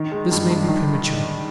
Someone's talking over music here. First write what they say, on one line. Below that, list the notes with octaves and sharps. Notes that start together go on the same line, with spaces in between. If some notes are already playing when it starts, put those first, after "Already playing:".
This may be premature.
Already playing: D#3
G#3
G2
G2
D#3